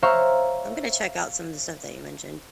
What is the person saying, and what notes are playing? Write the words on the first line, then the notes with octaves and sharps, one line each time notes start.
I'm gonna check out some of the stuff that you mentioned,
C5 C#5 E5 F5 A#5 C#6